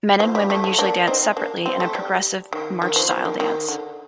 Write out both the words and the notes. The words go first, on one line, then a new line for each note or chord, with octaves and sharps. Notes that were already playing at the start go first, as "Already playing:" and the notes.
Men and women usually dance separately in a progressive march style dance.
F3
G3
A3
A3
A#3 D4
C4 D#4
A#3 D4
C4
A3
G3
D#3
D#3
F3
F3
D#3
D#3
D3